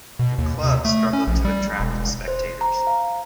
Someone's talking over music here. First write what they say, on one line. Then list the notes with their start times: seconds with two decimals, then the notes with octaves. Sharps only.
The club struggled to attract spectators.
0.19 B2
0.38 D#2
0.63 C3
0.85 A3
1.13 C#4
1.27 A#1
1.45 G3
1.80 E1
2.28 C5
2.61 A#5
2.87 F5